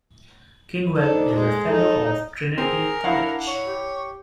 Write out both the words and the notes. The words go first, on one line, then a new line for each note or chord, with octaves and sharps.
Kingwell is a fellow of Trinity College.
D4 D#4 A4 C5
G#3
D#4 A4 D#5
C4 G#4 A#4
D4 E4 F5 F#5
C#5
G4